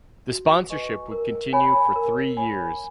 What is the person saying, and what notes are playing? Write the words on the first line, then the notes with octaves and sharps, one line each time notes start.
The sponsorship would continue for three years.
F#4
B4 D#5 G#5 C#6
A#4
C#5 G#5 B5
A#4
C#5 G#5 B5